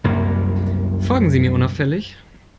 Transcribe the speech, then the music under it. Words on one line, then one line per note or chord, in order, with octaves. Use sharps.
Folgen Sie mir unauffällig.
C2 F#2 A#3